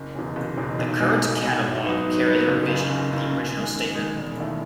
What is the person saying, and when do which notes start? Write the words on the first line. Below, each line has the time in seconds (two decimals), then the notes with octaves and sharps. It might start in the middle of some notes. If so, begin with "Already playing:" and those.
The current catalog carries a revision of the original statement.
Already playing: F#1
0.15 E2 B2
0.36 F#1
0.57 E2 B2
0.79 B1
1.00 B2 G#3 D#4
1.21 B1
1.42 B2 G#3 D#4
1.63 G#2
1.84 F#3 B3 D#4
2.05 G#2
2.26 F#3 B3 D#4
2.48 F#1
2.68 F#2 C#3
2.90 F#1
3.11 F#2 C#3
3.32 F#2
3.53 D#3 G#3
3.74 F#2
3.95 D#3 G#3
4.17 E1
4.38 D#2 D#3 A3 E4